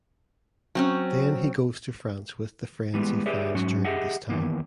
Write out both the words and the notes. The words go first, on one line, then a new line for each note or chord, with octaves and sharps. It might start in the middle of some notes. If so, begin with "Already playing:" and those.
Then he goes to France with the friends he finds during this time.
F#3 C4 C#4
E3 G3 G#3 B3
G4 G#4 B4 C#5 D5 E5
G#2 F#3 C#4 F#4
G4 G#4 D#5 E5 F#5
D#3 E3 A#3 B3